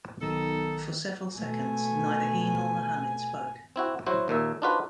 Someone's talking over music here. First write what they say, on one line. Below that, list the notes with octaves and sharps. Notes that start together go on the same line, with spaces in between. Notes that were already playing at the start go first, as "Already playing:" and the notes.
For several seconds neither he nor Muhammad spoke.
B1 D#3 D#4 A4
B2 A3 G#5
C4 E4 F#4
F#3 E4 F#4 C5
D#2 A#2 A#4 E5
D4 D#4 F4 F#4 B4 C5